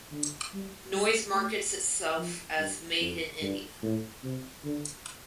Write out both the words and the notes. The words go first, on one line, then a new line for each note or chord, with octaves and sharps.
Noise markets itself as "Made in India".
D3
G3
G3
A3
F3
G2
F2
G2
A2
C3
D3